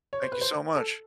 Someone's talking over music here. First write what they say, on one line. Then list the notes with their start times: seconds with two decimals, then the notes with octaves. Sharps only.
Thank you so much.
0.13 C#5
0.22 C5
0.32 B4
0.41 C5
0.75 A4